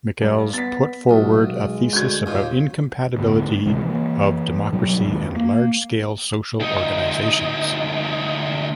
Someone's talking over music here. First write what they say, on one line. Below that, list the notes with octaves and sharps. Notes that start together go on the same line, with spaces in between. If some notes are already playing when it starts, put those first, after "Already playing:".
Michels put forward a thesis about incompatibility of democracy and large-scale social organizations.
G2
B3 A6 B6
B1 A#2
G#3
D2 G6 G#6
D#2 A#2
D2 G2 B3
C#2 C3 E3 G#3
E3 A#3
G#2 B2 F#3 G3
G#1 D#2 G#2
A#3
D2 D#4